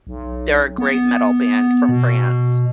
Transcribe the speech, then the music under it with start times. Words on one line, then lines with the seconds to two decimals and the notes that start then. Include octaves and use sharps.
they're a great metal band from France.
0.07 B1
0.78 B3
1.89 B2